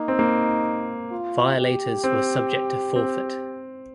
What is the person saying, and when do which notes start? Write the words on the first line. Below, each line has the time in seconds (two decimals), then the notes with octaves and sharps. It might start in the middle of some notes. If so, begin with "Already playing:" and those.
Violators were subject to forfeit.
Already playing: A#3 D#4
0.08 C4
0.19 A#3
1.12 F4
1.58 G4
2.04 C4
2.96 C4